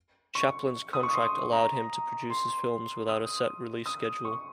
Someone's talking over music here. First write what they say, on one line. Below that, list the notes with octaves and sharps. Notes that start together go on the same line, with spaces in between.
Chaplin's contract allowed him to produce his films without a set release schedule.
C#6
D#6
C#6
C6
A#5
C6
D#6
D#6
C#6